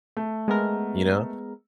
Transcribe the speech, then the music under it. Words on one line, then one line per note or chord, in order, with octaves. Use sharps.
you know?
A3
G#3 B3 A#4